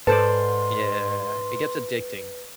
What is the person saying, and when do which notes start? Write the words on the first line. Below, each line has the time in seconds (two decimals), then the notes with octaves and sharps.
Yeah, it gets addicting.
0.07 G#2 A4 B4 C5 D5 C6